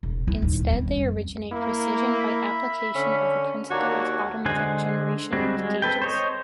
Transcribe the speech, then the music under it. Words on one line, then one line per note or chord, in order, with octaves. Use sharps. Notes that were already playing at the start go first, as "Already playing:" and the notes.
Instead they originate precision by application of the principle of "automatic generation of gages".
E1
G3 E4
D#2 A#2
G3 C4
F#2
A#3 E4
E5 B5
D3 C#4
D#2 A#3 D4 F#4 C#5
D3 G#3 C5 F#5 G#5
G3 G#3 C4 F#4 G#4
G#3
C4 A4 B4 G5
C5 C#5 D#5